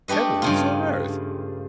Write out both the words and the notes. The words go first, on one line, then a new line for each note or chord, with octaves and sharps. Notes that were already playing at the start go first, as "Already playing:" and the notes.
Heavens and earth!
A3 D4 G4 B4 D#5
G2 C#3 F4